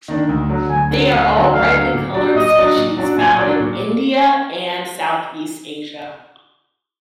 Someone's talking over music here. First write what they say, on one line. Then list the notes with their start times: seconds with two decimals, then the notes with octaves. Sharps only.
They are all brightly coloured species found in India and southeast Asia.
0.08 D#3 A#3 D4
0.29 D2
0.49 D3 F#3
0.70 D2 G#5
0.91 D3 F#3
1.11 D2 F5
1.32 D3 F#3
1.53 D2 F5
1.73 D3 F#3
1.94 A#2
2.14 F#3 D4 F#4 D5
2.35 A#2 D#5
2.55 F#3 D4 F#4 D5
2.77 A#2
2.97 F#3 D4 F#4 D5
3.18 A#2 G#5
3.39 F#3 D4 F#4 D5
3.60 A#2